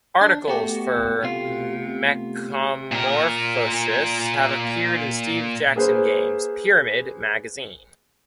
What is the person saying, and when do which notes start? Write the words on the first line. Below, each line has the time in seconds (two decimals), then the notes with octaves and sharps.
Articles for "Mechamorphosis" have appeared in Steve Jackson Games' "Pyramid" magazine.
0.21 D4
0.48 A3 B3 F#4 G4
1.23 C3 B3 F4
2.92 A#2 A#4
5.76 A#3 G#4 B4 C5